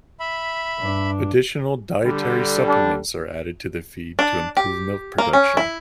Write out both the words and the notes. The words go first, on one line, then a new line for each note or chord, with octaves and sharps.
Additional dietary supplements are added to the feed to improve milk production.
E5 B5
G2 D4
D3 G3
D4
D4
G4
A#3
C#4
E4